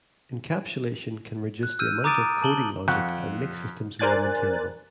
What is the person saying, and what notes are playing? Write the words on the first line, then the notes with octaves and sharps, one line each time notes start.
Encapsulation can reduce the amount of coding logic and make systems more maintainable.
F#6
E6 F6 G6 D#7
A#5 D6 D#6 A6 D7 D#7
A5 F#7 G7
F2 F#5 C#6 F#6
A#4 C5 D5 G#5 F#6 A6